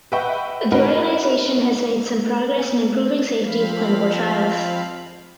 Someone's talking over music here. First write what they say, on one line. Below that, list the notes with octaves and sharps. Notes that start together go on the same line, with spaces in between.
The organization has made some progress in improving safety of clinical trials.
B4 D#5 E5 F#5 G5 C#6
C#4 D#4 F#4 A#4 B4
F3 C4 F5 B5